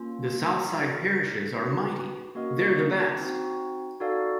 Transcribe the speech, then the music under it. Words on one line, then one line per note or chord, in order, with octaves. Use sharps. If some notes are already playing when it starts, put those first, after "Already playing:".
The South Side parishes are mighty-they're the best!
Already playing: A#3 C#4 F4
D#4 F#4 A#4 D#5
C4 D#4 F#4 B4
A#3 C#4 F#4 A#4 D#5
C4 D#4 F#4
D#4 F#4 A4 D5 F5